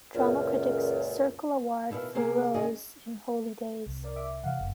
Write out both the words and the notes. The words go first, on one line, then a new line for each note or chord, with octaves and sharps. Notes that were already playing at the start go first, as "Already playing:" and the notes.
Drama Critic's Circle Award for Rose in "Holy Days".
C#2 F#2 A#2
B2 D#3 E4 E5 F5
C3 A#3 G#4
D#2 C#3 G#3 D#4 G#4 D#5
C2
A#4 D5
E5 D6
C3 E3 F5 F#5
F#1